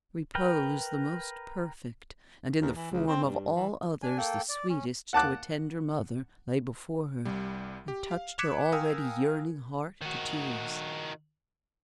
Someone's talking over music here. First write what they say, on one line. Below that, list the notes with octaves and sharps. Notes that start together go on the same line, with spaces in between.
Repose the most perfect and in the form of all others the sweetest to a tender mother, lay before her and touched her already yearning heart to tears.
A#4 B4 G5
D#2
E3
C#2
C4
G2
E3
D4 G#5
A#3 A4 G5
D5
C#4
F#5 A5 D6 F#6
C2 G3
G4
F5
D6 F#6 G#6 B6 C#7 E7
A#4 F5 G5 G#5 D#6 E6
D#3 F#4